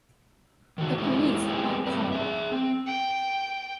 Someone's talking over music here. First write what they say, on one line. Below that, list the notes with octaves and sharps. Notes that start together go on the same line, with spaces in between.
The police were called.
D#3 F#4
G#3 A3 B3 C#4 E4 G4
G3 G#3 B3 C4 G4 G#4
G2 G3 A3 C4 B4
G#4 E5
C4
G5